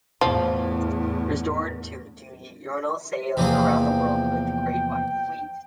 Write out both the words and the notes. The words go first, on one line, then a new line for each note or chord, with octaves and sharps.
Restored to duty, Yarnell sailed around the world with the Great White Fleet.
E2 A2 F3
E2 C3 E3 F3 A#3 G#4 G5